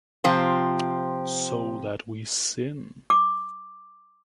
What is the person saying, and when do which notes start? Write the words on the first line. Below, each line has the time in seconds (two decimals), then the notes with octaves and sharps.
So that we sin.
0.24 C3 F3 C4 F4
3.10 D6